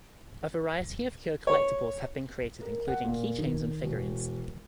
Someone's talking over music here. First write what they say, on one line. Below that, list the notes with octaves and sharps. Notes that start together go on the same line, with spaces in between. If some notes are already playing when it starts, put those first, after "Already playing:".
A variety of Kyo collectibles have been created, including key chains and figurines.
C#5
A#4
F#5
A#2
D#3
E1